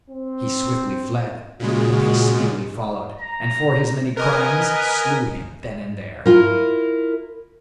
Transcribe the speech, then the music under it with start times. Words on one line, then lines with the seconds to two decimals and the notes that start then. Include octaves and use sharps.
He swiftly fled, but they speedily followed, and for his many crimes slew him then and there.
0.10 C4
1.60 A#2 C#3 G#3 F#4
3.20 A#5
4.17 A#4 B4 D#5 G#5
6.26 E4 F4 A#4